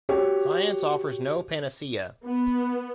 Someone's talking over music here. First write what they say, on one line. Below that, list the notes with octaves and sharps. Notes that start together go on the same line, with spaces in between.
Science offers no panacea.
F#4 G4 C#5
B3